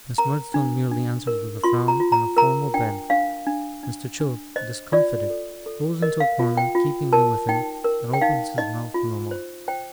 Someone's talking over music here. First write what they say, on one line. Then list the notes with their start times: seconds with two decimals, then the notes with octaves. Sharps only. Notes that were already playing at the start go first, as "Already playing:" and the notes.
Miss Murdstone merely answers with a frown and a formal bend: Mr. Chillip, discomfited, goes into a corner, keeping me with him, and opens his mouth no more.
0.18 A#4 A#5
0.54 D4
0.91 D4
1.27 A#4
1.64 F4 C6
1.88 A#5
2.00 F4
2.12 A#5
2.37 A#4 A#5
2.74 D4 G5
3.10 D4 F5
3.47 D4
3.83 D4
4.20 D4
4.56 C5 D#5
4.92 F4 D5
5.30 A4
5.66 A4
6.02 A#4 D#5
6.20 F5
6.39 F4
6.57 G5
6.75 F4
7.13 A#4 A5
7.49 D#4 G5
7.84 A#4
8.13 G5
8.21 D#4 F5
8.58 D#4 D#5
8.94 F4
9.31 C5
9.68 C5 G5